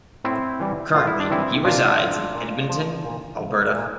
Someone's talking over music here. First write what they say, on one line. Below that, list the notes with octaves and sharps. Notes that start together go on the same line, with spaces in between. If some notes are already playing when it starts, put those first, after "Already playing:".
Currently he resides in Edmonton, Alberta.
A2 C4 E4
E3 G3
A2 F4
E4
D4
E3 G3 C4 E4
A#2 D4 F4
F3
A#2
F3
A#2
F3
A#2